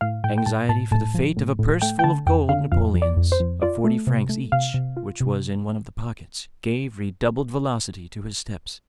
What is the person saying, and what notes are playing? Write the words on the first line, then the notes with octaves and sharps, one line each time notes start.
Anxiety for the fate of a purse full of gold Napoleons, of forty francs each, which was in one of the pockets, gave redoubled velocity to his steps.
A2 F5
A2 G5
G5
A2 A5
A2 A5
A2 A5
F3
A2
A2
A3 G5
G5
D3 A5
F2 G5
D3 F5
F2 F5
F2
D5
F2
C5
F2
F4 D5
A3
C3
A3
C3 F5
C3
F4
C3